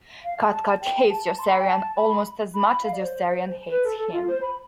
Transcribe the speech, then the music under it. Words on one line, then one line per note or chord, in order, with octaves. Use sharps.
Cathcart hates Yossarian almost as much as Yossarian hates him.
F5
A5
A5
G5
A5
A5
C6
B5
G5
A5
B5
B5
B5
F5
D5
C5
B4
A4
A4
F4
C5
B5